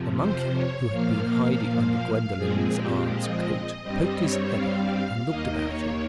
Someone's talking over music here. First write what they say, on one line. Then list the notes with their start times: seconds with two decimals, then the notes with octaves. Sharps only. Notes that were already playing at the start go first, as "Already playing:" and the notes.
The monkey, who had been hiding under Gwendolen's aunt's coat, poked his head out, and looked about him.
Already playing: F2 C3 F3
0.17 C5
0.54 C#5
0.90 A#2 F3 A#3 F5
2.36 A#2 F3 G#3 C4 G#4
2.73 G4
3.10 D#5
3.83 G2 G3 C4 D#5
4.19 C#5
4.55 F5
5.28 D#2 D#3 A#3 D#5
5.64 C#5